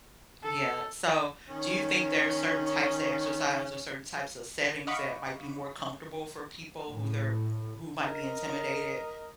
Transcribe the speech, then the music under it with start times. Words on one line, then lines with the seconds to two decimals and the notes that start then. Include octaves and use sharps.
D yeah, so, do you think there are certain types of exercise or certain types of settings that might be more comfortable for people who they're who might be intimidated,
0.43 A4
1.48 D#3 C#4
4.87 D#5 F5 F#5 B5 C#6 D6
6.88 A2
8.03 A#4 D#5